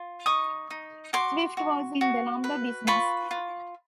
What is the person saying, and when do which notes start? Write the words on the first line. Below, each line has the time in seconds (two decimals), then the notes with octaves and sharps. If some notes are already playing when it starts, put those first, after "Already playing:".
Swift was in the lumber business.
Already playing: F4
0.26 D#4 C#6 D#6
0.70 D#4
1.13 F#4 C6 D6
1.57 F#4
2.01 F#4
2.44 B4
2.87 F4 B5 C#6
3.31 F4